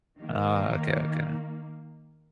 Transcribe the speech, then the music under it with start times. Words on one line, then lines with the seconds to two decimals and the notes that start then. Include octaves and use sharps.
Oh, okay, okay.
0.18 D#3 A#3